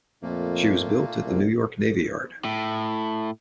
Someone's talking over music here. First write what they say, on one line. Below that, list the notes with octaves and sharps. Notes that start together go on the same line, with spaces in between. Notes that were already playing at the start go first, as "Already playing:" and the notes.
She was built at the New York Navy Yard.
F2 A#2 A3 A#3
C2
A2